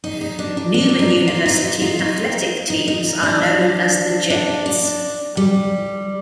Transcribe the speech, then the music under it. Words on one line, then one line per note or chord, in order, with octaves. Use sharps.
Newman University athletic teams are known as the Jets.
D#4
D#4
D4
D4
D4
F4
D#4
D4
F4
D#4
D#4
F4
D#4
D#4
D#4
D4
D4
D4
G3